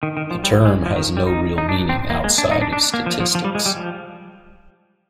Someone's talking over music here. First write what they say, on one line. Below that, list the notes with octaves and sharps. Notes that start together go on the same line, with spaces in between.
The term has no real meaning outside of statistics.
D#3
D#3
F3
G3
G#3
F3
D#3
G3
D#4
D#4
D4
C4
A#3
G#3
D4
D#4
D4
D4
A#3
F3
F3
F3
G3
G#3
G3
F3